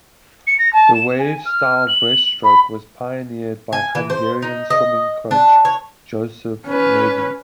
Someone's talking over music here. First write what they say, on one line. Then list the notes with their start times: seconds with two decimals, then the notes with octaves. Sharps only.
The wave-style breaststroke was pioneered by Hungarian Swimming Coach Joseph Nagy.
0.47 C#7
0.59 A#6
0.73 A5
0.94 E7
1.19 G#5
1.45 F6
1.88 F#7
2.44 B5
3.73 G#5
3.95 E3
4.10 C5
4.42 D#4
4.70 D#5
5.31 D4
5.65 C#5
6.66 C#4 B4